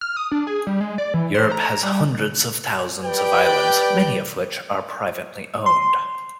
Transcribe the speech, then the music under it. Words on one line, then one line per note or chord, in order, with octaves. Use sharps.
Europe has hundreds of thousands of islands many of which are privately owned.
F6
D#6
D4
G#4
G3
G#3
D5
E3
C5
A#5
A#5
G3
G4 B4 D5 G5
C6